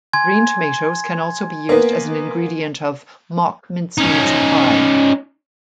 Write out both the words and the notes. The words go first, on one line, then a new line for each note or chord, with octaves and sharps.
Green tomatoes can also be used as an ingredient of "mock mincemeat" pie.
G#5 C6 G#6
A#3 B3
C#4 D#4